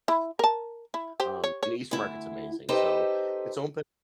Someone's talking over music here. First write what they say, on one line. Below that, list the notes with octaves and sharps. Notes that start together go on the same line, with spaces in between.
Um, and the Eastern Market is amazing, so it's open
E4
A#4 A5
E4
G4 C5
C#5
C#5
D2 E4
D#4 G4 A4 B4 C5 D#5